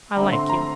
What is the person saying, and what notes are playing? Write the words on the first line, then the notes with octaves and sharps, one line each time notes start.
I like you.
D3 A3 C4 A#5
C6
A#5